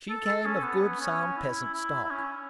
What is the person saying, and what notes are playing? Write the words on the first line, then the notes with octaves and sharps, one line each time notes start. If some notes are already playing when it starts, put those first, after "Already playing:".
She came of good sound peasant stock.
A4
A4
C#4
B3
C#4
E4
E4
E4
C#4